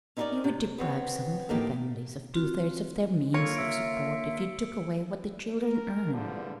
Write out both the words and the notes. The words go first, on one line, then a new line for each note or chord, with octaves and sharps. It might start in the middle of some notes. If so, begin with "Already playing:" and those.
You would deprive some of the families of two-thirds of their means of support if you took away what the children earn.
C#4 D#4 E4 G4 A#4 D5
C3
B3 C4 C#5
A2 A#3 D#4 G4
C4 F4 F#4
A#3 F4 A4 C#5 C#7
E5 E6 D7
A#4
E2 G2 D3 F3 G3